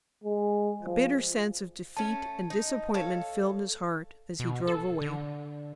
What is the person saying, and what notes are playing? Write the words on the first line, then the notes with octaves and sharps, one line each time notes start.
A bitter sense of defeat and disappointment filled his heart as he drove away.
G#3
F3
A3 C#4 A5
D#4
A4 C#5 F5
B2
A4
D3